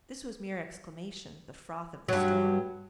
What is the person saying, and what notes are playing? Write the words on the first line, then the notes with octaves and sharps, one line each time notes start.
This was mere exclamation--the froth of the storm.
G2 F#3